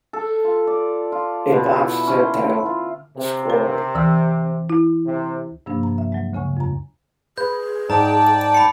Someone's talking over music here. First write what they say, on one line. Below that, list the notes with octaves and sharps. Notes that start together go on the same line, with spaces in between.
A boxed set titled Sorcery!
A4
F4
D5
F4
B2
E4
C#4
C6
F4
C3
A#4
D2 E3 E6
E4
C3
G2 C3 F3 A#3 D4
F3 A#5
E5
F#3 G#3
D2 C#3 G#5 C#6
F2 A#5
G#4 B4 G6
G#2 D5 G5 A5 A#5
B5 C#7